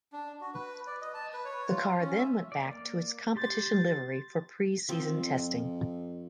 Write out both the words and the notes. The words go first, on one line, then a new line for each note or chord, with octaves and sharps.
The car then went back to its competition livery for pre season testing.
D4
F#4
B4
D5
D#5
A5
B4
C#5
F4
C#4
E5
D5
A#3 D5
G4 C6 G6 A6
F3 C4
F2